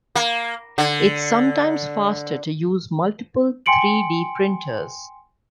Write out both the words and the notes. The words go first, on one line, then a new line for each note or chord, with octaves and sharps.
It's sometimes faster to use multiple three-d printers.
A#3
D3
G5 G#5 C6 C#7 D7 F#7